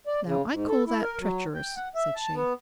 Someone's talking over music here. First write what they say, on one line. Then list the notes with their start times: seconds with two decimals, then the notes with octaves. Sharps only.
'Now, I call that treacherous,' said she.
0.07 D5
0.25 C#3
0.52 G#2
0.68 A4
0.86 E4
1.02 A#4
1.20 F#3
1.54 G5
1.76 F#5
1.95 E5
2.15 A5
2.34 B3